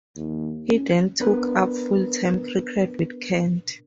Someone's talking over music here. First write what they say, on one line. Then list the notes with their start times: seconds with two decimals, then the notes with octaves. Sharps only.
He then took up full-time cricket with Kent.
0.17 D#2
0.69 C#4
1.20 B3 D4 A#4 B4